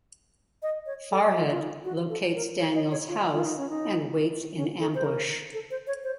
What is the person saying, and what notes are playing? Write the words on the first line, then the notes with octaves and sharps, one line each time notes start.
Farhad locates Daniel's house and waits in ambush.
D#5
C#5
A4
F4
F4
D#4
F#4
A4
A#4
C#5
D#5
C#5
F4
F4
D#4
C#4
D#4
C#4
A4
C5
A#4
A4
C5
C#5
C5